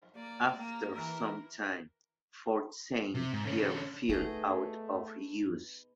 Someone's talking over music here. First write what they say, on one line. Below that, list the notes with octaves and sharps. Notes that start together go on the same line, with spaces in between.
After some time, Fort Saint Pierre fell out of use.
A#3 D5
A#3
E3 A#4
C3
G#2
D3 C#4
B2 A3 D#4 G#4 D#5